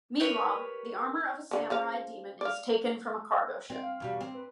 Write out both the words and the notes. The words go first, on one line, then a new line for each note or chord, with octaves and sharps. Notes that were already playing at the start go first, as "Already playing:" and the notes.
Meanwhile, the armor of a samurai demon is taken from a cargo ship.
G4 A#4 B4 C#5
D3 F3
C#3 F3 F5
D5 F5
C4
F5
E2 B2 G3
C4
B4